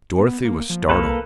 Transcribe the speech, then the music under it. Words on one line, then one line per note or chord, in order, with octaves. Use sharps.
Dorothy was startled.
B3
A#3
F3
C2 A#3 A4 B4